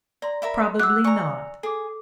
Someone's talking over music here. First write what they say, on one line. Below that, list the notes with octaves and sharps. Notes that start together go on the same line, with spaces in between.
Probably not.
D5 A#5 C6
A#4 E5 B5
F#5 D6 E6 F#6
D5 G#5 A#5 C#6 C#7
G#4 A4 D6